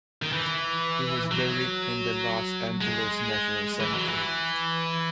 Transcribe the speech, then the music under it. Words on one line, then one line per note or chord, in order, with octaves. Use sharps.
He was buried in the Los Angeles National Cemetery.
D#3
E3
F#3
G#3
E3
F#3
E3